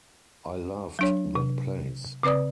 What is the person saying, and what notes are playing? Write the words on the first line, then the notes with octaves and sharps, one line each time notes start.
I loved that place.
F#3 D4 C#5
C3
C#3 C4 B4 D5 D#6